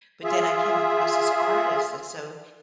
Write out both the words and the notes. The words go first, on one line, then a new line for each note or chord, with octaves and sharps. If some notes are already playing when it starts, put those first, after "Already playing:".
But then I came across this artist, and so
F4 G#4 E5